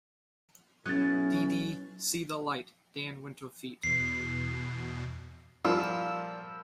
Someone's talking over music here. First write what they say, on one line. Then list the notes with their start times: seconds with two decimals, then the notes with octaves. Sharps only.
Dee Dee "See The Light," Dan Winter feat.
0.86 B1 F#3 C#4 E4 D#5 F#6 A6
3.83 E2 B2 C7
5.65 A#2 F3 G3 F4 E6